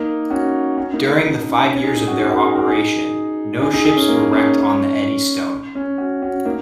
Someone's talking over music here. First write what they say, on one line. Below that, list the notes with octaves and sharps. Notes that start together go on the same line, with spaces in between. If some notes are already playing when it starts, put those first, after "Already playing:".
During the five years of their operation, no ships were wrecked on the Eddystone.
Already playing: A#3 D#4
C#4 F#4
C#4 F#4
A#3 D#4
A#3
A#3
C#4
C#4
D#4 G#4
D#4 G#4
C#4 F#4
D#4 G#4
F#4 A#4
D#4 G#4
F#4 A#4
D#4 G#4
D#4 G#4
D#4 G#4
D#4 G#4
C#4
A#3
C#4
C#4
C#4 F#4
C#4 F#4
A#3 D#4